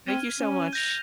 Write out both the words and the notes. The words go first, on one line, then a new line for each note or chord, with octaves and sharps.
Thank you so much.
C4 F6 G#6 D#7 G7
C#4
G6 A#6 F7